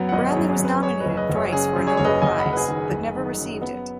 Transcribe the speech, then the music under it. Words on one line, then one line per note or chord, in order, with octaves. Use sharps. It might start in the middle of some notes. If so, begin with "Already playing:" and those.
Branly was nominated thrice for a Nobel Prize, but never received it.
Already playing: F#2 F#3 B3
F#5
G#1 B4 D#5
G#4 C#5
F#2
G#4
F#2
B4
F#2 G#4 C#5
B4 D#5
F#1
B4 D#5
F#1
G#4 C#5
C#3 G#4
F#2
G#4 C#5
F#1 C#5
B4 D#5
F#1 D#5 G#5
F#5 B5
F#1
B4
G#4
D#3
F#1
D#3
F#2
B3